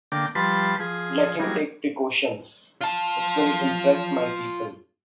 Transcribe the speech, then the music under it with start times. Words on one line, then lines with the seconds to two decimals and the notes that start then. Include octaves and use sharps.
Let him take precautions; it will impress my people.
0.12 D3 A#3 G5 D6
0.35 F3 G3 B4 A5 B5 C6
0.80 F3 G#4
1.40 F#3 G3 A#3 G#4
2.81 F4 A5